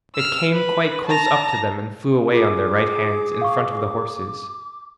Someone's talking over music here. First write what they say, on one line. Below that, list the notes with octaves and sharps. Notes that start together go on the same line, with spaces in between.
It came quite close up to them and flew away on their right hands in front of the horses.
E6 F6
B4
A5 A#5
F4 G#4 D6
F5 C#6